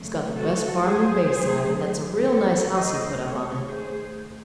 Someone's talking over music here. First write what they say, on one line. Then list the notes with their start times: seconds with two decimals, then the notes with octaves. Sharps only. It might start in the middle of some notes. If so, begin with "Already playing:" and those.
He's got the best farm in Bayside, and that's a real nice house he put up on it.
Already playing: C#3 F#3 A3
0.37 F#4 A4
0.84 A2 F#3 A3 G#4 C5
2.26 A4 C#5
2.73 D#3 A3 C5 D#5
3.20 A4 C#5
3.67 G#4 C5